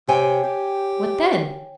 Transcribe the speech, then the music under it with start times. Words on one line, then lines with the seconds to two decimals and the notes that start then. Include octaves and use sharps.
"What then?"
0.08 C3 C#5 G5 G#5
0.44 G4